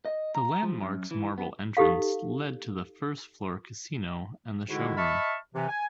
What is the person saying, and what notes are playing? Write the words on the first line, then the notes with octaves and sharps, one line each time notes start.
The Landmark's marble entrance led to the first-floor casino and the showroom.
D#5
A#5
F3
F#2
E3
B3
D#4 G4 A4 F5
G#2 D3 D#3 G#3 E4 F#4
D#5 E5 A5 B5 C#6 F6
C3 E3
G#5